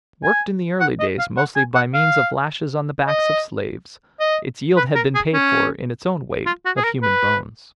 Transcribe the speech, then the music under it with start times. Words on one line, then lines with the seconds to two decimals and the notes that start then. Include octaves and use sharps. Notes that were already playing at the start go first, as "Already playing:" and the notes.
Worked in the early days mostly by means of lashes on the backs of slaves, its yield had been paid for in its own weight of human bones.
0.24 G#5
0.80 F#5
0.99 D#5
1.19 F5
1.37 F#5
1.56 G#5
1.75 F#5
1.94 F5
3.07 D#5
4.20 D#5
4.77 B4
4.95 A#4
5.15 G#4
5.33 C#4
6.46 F4
6.65 F#4
6.77 G#4
6.84 A#4
7.03 B4